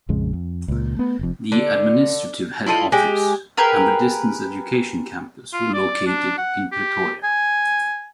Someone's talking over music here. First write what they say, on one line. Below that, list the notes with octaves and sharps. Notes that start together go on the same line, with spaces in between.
The administrative head office and the Distance Education Campus were located in Pretoria.
A#1 F2 C#3 G#3
F2
C#2 A#2
A3 B3
F1 F2
D3
E4 F4 A4 D#5
G#3 G4
G4 G#4 A#4 B4
F4
D5
D4
F#5
G4
G#5